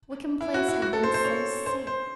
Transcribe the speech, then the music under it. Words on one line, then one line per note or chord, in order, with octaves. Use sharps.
Wickham Place had been so safe.
E4
F#4
E4
F#4
A4
C5
C5
C#5
C5
C5